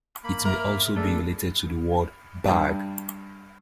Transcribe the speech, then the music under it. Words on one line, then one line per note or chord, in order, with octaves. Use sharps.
It may also be related to the word "bag".
A#3 B5
A#4 E5
A3 A#3 D4 G#4 A4
G2